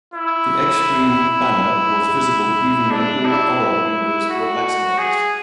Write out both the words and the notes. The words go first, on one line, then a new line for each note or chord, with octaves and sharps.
The X-Stream banner was visible even when all other windows were maximised.
E4
D4
E4
F#4
G#4